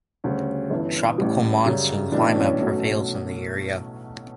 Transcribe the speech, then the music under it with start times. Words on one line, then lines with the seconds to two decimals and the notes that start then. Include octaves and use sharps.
Tropical monsoon climate prevails in the area.
0.24 D2 C#3 G3 C#4
0.70 G1 G2 E3
1.18 A1 A2 G3
1.65 F#2 C#3 G3
2.12 B1 A2 E3 D4
2.35 C#4
2.58 B1 B2 F#3 A3